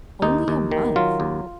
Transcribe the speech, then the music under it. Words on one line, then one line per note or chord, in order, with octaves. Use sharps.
Only a month!
D#2 D#4
D#2
D#3
F#3 F4
D#2